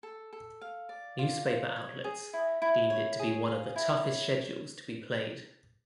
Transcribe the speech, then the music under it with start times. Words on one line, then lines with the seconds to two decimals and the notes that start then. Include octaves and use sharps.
Newspaper outlets deemed it to be one of the toughest schedules to be played.
0.03 A4
0.33 A4
0.61 F5
0.89 D5
1.19 F4
1.46 F4
1.76 C#5
2.04 G#4
2.33 E4
2.62 E4
2.90 C#5
3.19 G#4
3.48 F5
3.76 E4
4.05 C#5